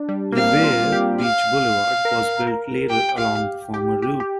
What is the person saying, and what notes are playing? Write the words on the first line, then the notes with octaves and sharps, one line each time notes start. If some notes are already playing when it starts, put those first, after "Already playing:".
Revere Beach Boulevard was built later along the former route.
Already playing: D4
G3
A#3
C4 F5
F4
G4
F5
A#4
A#4
G4 G5
F5
G4
G4
G4